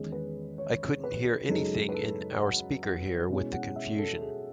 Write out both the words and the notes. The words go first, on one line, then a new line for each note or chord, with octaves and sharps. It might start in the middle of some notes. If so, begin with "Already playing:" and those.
I couldn't hear anything in our speaker here, with the confusion.
Already playing: E2 D#3 G#3 C#4 G#4
B4
C#5
B4
F#2 C#3 G#3 D#4 A4
B4
A4
F#5
F#5
B2 G#3 C#4 E4
F#5
E5
A4
G#4